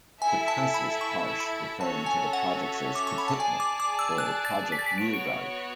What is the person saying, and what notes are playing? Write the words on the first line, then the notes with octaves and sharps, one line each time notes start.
The press was harsh, referring to the project as "Kaputnik" or "Project Rearguard".
E4 A4 E5 G#5
A5
B5
C#6
B5
C#4 F#4 A4 C#5 E5 A5
G#5
F#5
D6
C#6
B5
A5
G#4 D5 G#5 A5
D6
D6
E6
F#6
A6
B6
A6
B6
B3 F#4 C#5 D7
D7